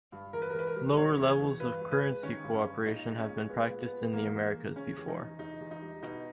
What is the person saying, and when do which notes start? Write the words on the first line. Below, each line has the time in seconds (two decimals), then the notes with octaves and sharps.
Lower levels of currency cooperation have been practiced in the Americas before.
0.12 G2
0.33 E2 A#4
0.42 B4
0.50 A#4
0.54 E2 B4
0.67 A#4
0.76 G3
0.97 B2 C#5
1.18 E2
1.39 E2
1.60 G2 B4
1.81 G2
1.91 B4
2.02 G#3
2.23 D#3 C#4
2.44 G2
2.54 C#4
2.65 G2
2.87 A#2 D#4
3.07 G#3
3.18 C#4
3.29 A#2
3.49 G#3 B3
3.70 A#2
3.81 B3
3.92 G#3
4.13 E2 A#3
4.34 E2
4.55 G#3
4.76 C#3 C#4
4.97 E2
5.08 D#4
5.18 E2
5.39 E2 D#4
5.60 E2
5.71 D#4
5.81 G3
6.02 B2 D#4